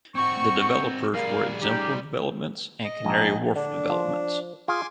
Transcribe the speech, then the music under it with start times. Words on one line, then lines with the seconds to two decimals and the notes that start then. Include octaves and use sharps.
The developers were Exemplar Developments and Canary Wharf Developments.
0.15 C4 F#4 C#6
1.14 G3 G#4 A#4 F5
1.62 C#4 D#4 G4
2.84 D#5
3.05 A#1 A#5
3.56 D3 D4
3.90 F3
4.68 F4 G#4 G#5 C6 D6